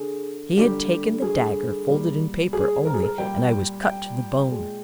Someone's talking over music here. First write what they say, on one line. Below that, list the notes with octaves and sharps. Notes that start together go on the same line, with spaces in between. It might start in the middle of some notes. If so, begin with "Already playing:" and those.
He had taken the dagger folded in paper only, and I was cut to the bone.
Already playing: D3 G#4
D3 G3 A#3 G4
G#4
A#2 G3 A#3
G#4
A#4
G#4
A#4
A#2 G3 A#3 G5
G5
A#2 G#3